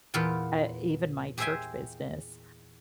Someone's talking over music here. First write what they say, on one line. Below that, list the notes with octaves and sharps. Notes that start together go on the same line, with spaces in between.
uh, even my church business.
E2 A#2 B3 F4 G5
G4 G#4 C5 E5 G5 G#5